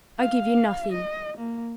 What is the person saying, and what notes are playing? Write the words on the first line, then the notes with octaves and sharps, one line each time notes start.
I give you nothing.
F5
D#5
A#3